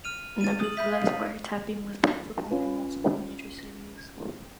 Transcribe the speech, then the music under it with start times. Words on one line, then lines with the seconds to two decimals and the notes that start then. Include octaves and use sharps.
Nevertheless wiretapping was possible in multiple major cities.
0.04 F6 D#7 F7
0.41 A6 D#7
0.60 D#6 F#7
0.77 E5 B5 G6 B6
0.92 F5
2.51 C#4 F4 B4